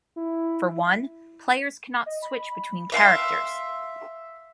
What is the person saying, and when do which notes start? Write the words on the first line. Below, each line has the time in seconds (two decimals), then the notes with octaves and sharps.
For one, players cannot switch between characters.
0.17 E4
2.06 D#5
2.22 B5
2.92 E5 F5 G5 C6